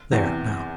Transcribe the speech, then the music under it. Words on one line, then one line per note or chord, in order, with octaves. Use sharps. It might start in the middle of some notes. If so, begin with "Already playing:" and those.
There, now!
E2 C3 E3